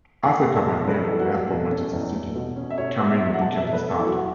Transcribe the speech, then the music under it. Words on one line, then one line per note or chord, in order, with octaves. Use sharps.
After Caballero left for Manchester City, Kameni became the starter.
E2 F#5
A3
A5
B2
C#4 B4
A4
E2
F#4
A3 F#4
B2 A4
C#4
E2
A3
B2
C#4
E5
B2 C#5
B3
E5
F#3
E5
F#5
B2 A5
E5
B2
B4
B3
A4
E4
F#3 F#4